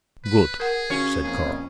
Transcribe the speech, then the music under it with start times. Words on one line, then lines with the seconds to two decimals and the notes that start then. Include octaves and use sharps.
"Good," said Carl.
0.24 B4
0.60 G#4 A#4 F#5
0.90 C#3 C#4 F#4 C#5
1.24 F2 A#3 G#4